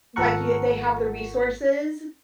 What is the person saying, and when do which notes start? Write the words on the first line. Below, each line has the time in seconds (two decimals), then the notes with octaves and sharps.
like you they have the resources
0.16 G#1 F3 A4 A#4 F#5 C#6